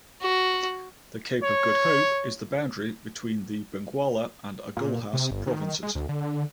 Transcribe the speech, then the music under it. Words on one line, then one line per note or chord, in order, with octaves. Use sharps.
The Cape of Good Hope is the boundary between the Benguela and Agulhas provinces.
F#4
C#5
A#2
C3
G1
D#3
G#3
D2
D3